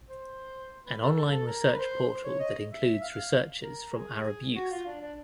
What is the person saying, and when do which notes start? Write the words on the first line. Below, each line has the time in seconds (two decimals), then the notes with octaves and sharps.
An online research portal that includes researches from Arab youth.
0.09 C5
0.85 B4
1.01 A4
1.16 A4
1.32 A4
1.47 A#4
1.73 B4
1.79 C5
2.09 C5
2.24 C#5
2.40 D#5
2.71 E5
3.02 F5
3.63 A#4
3.93 G#4
4.55 F#4
4.71 F4
4.86 D4
5.01 D4